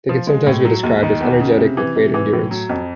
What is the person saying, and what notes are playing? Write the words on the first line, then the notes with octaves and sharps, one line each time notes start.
They can sometimes be described as energetic with great endurance.
F3
G#3
A2
F#3
D#2
D#3
E2
C#3
C3
E3
C3
E3
A2
F#3
F2